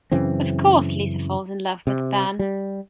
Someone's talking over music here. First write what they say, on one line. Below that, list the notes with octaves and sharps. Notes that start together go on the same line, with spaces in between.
Of course, Lisa falls in love with Van.
F#2 C#3 E3 C4
C3
G3